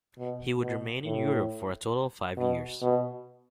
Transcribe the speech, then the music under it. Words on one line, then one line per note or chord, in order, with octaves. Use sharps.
He would remain in Europe for a total of five years.
B2
B2
A2
B2
B2